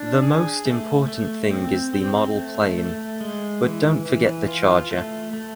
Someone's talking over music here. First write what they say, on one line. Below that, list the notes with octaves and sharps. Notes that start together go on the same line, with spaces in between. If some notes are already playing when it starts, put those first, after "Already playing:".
The most important thing is the model plane, but don’t forget the charger.
Already playing: D4
G#4
A3
A3
C4
C4
A3
A3
G#3
E3
E3
F4
A3
A3